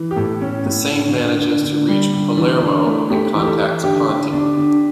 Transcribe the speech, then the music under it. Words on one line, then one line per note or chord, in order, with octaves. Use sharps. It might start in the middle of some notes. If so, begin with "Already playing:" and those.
The Saint manages to reach Palermo and contacts Ponti.
Already playing: E3
G4
A2 A4
C#4
A2
D3
D3
D3
D3
G3
D3
E3
D4
A3
A3 G4
E3 G4
A4
E3
D3 G4
D3
D4
D3